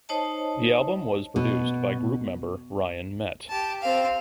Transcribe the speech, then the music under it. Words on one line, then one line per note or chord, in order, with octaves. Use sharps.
The album was produced by group member Ryan Met.
D#4 C5 C#5 D#5 A5
B2
G4 A5
C4 F5